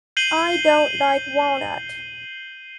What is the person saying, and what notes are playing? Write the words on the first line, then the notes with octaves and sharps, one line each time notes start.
I don't like walnut.
G6 C7 D#7 F#7 G7